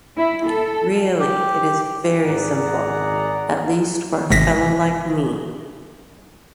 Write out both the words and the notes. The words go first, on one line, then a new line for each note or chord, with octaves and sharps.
Really it is very simple; at least for a fellow like me.
E4
A4
G4
G#1 G#4 D5 F#5 A#5
G#1 C3 A#6 B6